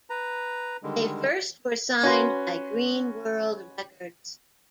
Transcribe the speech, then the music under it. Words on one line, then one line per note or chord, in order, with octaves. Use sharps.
They first were signed by Green World Records.
B4 A#5
D3 D#3 G3 G#3
C#4 F#4 B4 C6